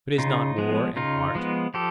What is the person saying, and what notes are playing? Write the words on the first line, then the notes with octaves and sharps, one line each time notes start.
But is not war an art?
C#3 D#4 F4
F3 G#3 B3
C#3 D#4 F4
F3 G#3 B3
F3 G4 A4